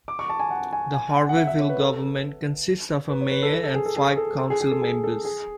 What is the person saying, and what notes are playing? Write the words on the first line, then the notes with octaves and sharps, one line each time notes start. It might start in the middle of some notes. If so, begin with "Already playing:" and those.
The Harveyville government consists of a mayor and five council members.
D6
C#6
A5
G#5
F#5
G#5
G#5
F#5
F#5
E5
E5
C#5
B4
A4
B4
C#5
B4
A4
A4
A4
G#4
A4
G#4
A4
A4
G#4
G#4
A4
G#4
A4
G#4